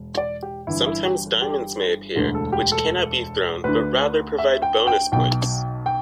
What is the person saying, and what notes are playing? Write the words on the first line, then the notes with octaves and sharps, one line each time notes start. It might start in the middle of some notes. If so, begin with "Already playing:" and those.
Sometimes diamonds may appear, which cannot be thrown but rather provide bonus points.
Already playing: E1
D5
G4
G1 G2 E3 E4
E4
G4
G4
E1 D2 D3
A4
G4
A4
D2 D3 B4
E5
G5
G5
B1 B2 G5
G5